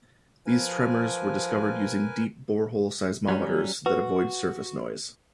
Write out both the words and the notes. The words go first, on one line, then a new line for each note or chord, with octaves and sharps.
These tremors were discovered using deep borehole seismometers that avoid surface noise.
F3 A#4 B4 G#5
F#3 G3 C#4
F#4 B4